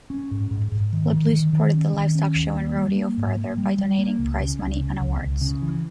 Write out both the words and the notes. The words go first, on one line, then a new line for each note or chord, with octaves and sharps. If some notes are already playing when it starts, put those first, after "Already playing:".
LeBleu supported the livestock show and rodeo further by donating prize money and awards.
C#4
G#2
G#2
G#2
D#3
D#3
D#3
D#3
C#4
D#3
C#4
D#2
A#3
G3
A#3
G#2
A#3
G3
G3
A#3
C#2
C#3
C#2
C#3
C#2
C#2
C#3
E3